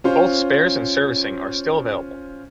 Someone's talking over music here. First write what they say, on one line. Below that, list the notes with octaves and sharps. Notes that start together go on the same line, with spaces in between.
Both spares and servicing are still available.
C#4 F4 C5